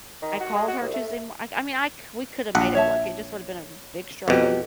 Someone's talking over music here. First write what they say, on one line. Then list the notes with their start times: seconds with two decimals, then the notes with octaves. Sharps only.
I called her Tuesday mor Iike, I mean I c we coulda made it work, it just would've been a big struggle.
0.22 D#3
0.40 F#4
0.55 G#3
0.68 F#4
0.81 C2
0.94 A3
2.55 A#1 F#5
2.75 C#5 E5 A5
4.28 F2 B2 G4 F#5